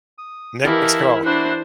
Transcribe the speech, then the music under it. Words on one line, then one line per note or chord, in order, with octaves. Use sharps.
next call.
D#6
E3 E4 G4 A4 A#4 D#5 F5
D4 E4 F#4 B4 C5